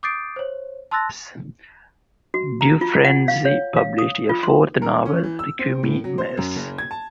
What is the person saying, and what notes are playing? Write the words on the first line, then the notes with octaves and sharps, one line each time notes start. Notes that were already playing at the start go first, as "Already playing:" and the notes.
Dufresne published a fourth novel, Requiem, Mass.
D6 D#6 G6 A6 C7 D7
C5 C#5
A5 C6 E6 F#6 A6 A#6
F#4
A#5
F4
F#5
F5
C#5
F5
D#6
F4
C6
A#4
C#4
E3
E6
C4
A2
F#3
C5
F#2
F#1
G#6
A5